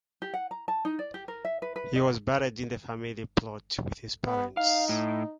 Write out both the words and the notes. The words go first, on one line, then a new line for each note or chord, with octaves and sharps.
He was buried in the family plot with his parents.
G4
F#5
A#5
A5
D#4
D5
G4
A#4
E5
B4
B4
D#5
B3
D#4 F5
A2